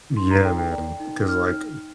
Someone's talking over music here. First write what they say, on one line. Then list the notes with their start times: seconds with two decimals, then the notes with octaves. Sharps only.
Yeah, man. Because, like
0.17 D#4 C6
0.31 A#5
0.45 A4 G5
0.58 G5
0.72 D5
1.00 D#4
1.28 D#4 F6